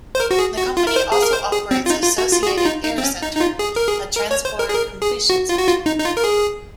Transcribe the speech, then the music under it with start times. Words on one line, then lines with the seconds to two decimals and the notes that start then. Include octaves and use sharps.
The company also operates Associated Air Center, a transport completion center.
0.15 C5
0.20 A#4
0.31 F#4
0.39 G#4
0.58 F#4
0.77 F4
0.87 A#4
0.96 C5
1.12 G#4
1.22 A#4
1.33 C5
1.52 G#4
1.71 C4
1.86 F4
1.90 D#4
2.04 F4
2.18 F#4
2.32 F4
2.43 G#4
2.46 F#4
2.58 F4
2.65 D#4
2.84 D#4
2.98 C4
3.03 C#4
3.22 D#4
3.37 D#4
3.40 F4
3.59 G#4
3.76 A#4
3.88 G#4
4.16 A#4
4.31 C#5
4.45 C5
4.59 A#4
4.69 G#4
4.74 A#4
5.02 G#4
5.30 F#4
5.49 F4
5.58 F#4
5.67 F4
5.86 D#4
5.99 D#4
6.05 F4
6.17 A#4
6.24 G#4